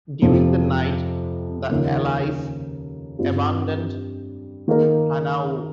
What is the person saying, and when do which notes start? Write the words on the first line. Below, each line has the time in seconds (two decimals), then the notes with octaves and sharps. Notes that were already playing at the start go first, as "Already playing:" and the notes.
During the night the allies abandoned Hanau.
0.22 F2 C3 F3 C4
1.70 D#2 C#3 F3 A#3 D#4
3.19 G2 G3 C4 F4
4.68 D#3 A#3 D#4 A#4